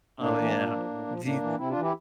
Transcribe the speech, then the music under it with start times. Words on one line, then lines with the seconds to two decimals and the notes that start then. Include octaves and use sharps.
Oh, yeah, di
0.20 A2 A#3 D4
0.38 E3
0.55 A#2
0.72 F3
0.89 A2
1.07 F3
1.24 A2 A#3 D4
1.41 E3
1.58 C3 C4 E4
1.70 D4 F4
1.76 E3
1.82 E4 G4